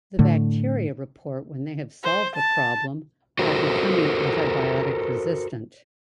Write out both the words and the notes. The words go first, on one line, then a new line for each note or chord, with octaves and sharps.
The bacteria report when they have solved the problem by becoming antibiotic resistant.
A2 D3 A3
C5
A5
F#4 A4 A#4 C5